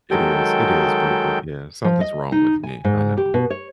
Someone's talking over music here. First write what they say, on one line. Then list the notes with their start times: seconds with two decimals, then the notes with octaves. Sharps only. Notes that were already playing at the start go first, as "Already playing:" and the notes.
It is, it is brutal, yeah, something's wrong with me, I know.
0.11 D#3 F#3 G#3 A4 G5 G6
1.85 F3
2.01 D#5
2.32 D#4
2.63 G#5
2.84 G#2
3.18 G4
3.34 B2
3.50 C#5